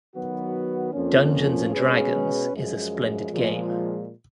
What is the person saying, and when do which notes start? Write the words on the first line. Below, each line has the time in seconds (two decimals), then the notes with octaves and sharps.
Dungeons and Dragons is a splendid game.
0.14 D#3 F#3 B3 F#4 B4
0.93 F2 F3 A#3 C#4
1.73 B2 G#3 C#4 G#4 B4
2.52 F#2 F3 G#3
3.32 A#2 F3 G#3